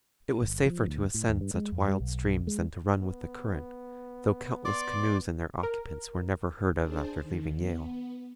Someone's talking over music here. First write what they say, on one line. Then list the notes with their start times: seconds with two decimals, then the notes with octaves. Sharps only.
It was safer to ascend such wild streams than to run with the current, though countless canoes and their occupants were never heard of after leaving Yale.
0.42 G1
0.65 F3
0.87 D2
1.14 A2
1.29 D#2
1.41 G2
1.54 G#3
1.72 F2
1.88 G3
2.00 B1
2.47 G#3
3.02 B3
4.65 D5 C6 D6
5.63 A#4
6.80 D4 G#4 C5 A5
7.20 D#3
7.57 B3